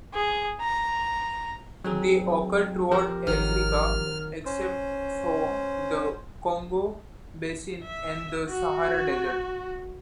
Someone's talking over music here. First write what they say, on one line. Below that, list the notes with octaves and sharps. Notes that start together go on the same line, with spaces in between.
They occur throughout Africa except for the Congo basin and the Sahara Desert.
G#4
A#5
F#3 C4 D#4 G#4
F3 G4 A#4 C5 A#5
G#1 D#3 F#3 F6
C#4 C5
E5
F#4